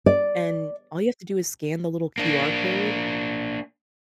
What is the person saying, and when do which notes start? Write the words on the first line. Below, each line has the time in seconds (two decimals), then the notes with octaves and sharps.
and all you have to do is scan the little QR code,
0.06 D5
2.18 A#3 D4